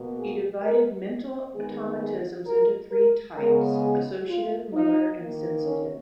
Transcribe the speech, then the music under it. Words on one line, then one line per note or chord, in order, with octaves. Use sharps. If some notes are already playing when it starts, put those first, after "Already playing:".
He divided mental automatisms into three types: associative, motor and sensitive.
Already playing: B2 A#3
G#4
A#4
D#3 G#3 B3 G#4
G#4
A#4
A#4
C#3 G#3 B3 A#4
G#4
F4
D#4
D#3 A#3
C#4